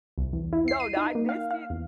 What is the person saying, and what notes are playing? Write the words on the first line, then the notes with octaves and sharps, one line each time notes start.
No, now I did see it
C2
E2
E4
C7
D#7
D#4
A#3
F5
F5
E2